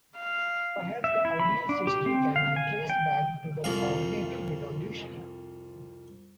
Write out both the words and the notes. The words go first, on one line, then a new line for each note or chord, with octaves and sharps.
Perhaps the earliest history can be traced back to the cognitive revolution.
F5
E5
E4
B5
D4
G4
C4
F5
G#5
G5
C2 F2 F5